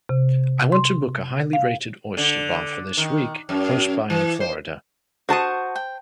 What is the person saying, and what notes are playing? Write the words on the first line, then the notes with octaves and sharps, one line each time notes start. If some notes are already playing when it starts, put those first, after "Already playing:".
I want to book a highly rated oyster bar for this week close by in Florida.
C3
C6
F5
D3
D#3
F#2
E3
C5
F#4 C5 A5 C#6 D#6
G5